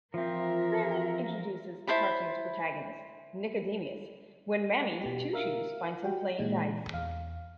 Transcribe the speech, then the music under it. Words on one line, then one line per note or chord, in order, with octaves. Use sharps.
Freleng introduces the cartoon's protagonist, Nicodemus, when Mammy Two-Shoes finds him playing dice.
E3 F3 C4 F4 A#4 E5
E4 C5 A5 B5
B2 B3 G4
A#4 E5 F5
F#4 G4 G5
A#2 E3 G#3 D#4
E2 F5